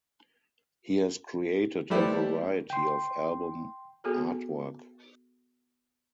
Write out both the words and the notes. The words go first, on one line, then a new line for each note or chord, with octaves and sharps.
He has created a variety of album artwork.
G3 A3 E4 G4 B4 C5
G5 C6
B3 F#4 G#4 A4